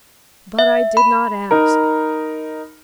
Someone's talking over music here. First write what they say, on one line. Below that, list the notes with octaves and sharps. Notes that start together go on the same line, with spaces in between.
'But I did not ask.
E5
B5
D#4 A#4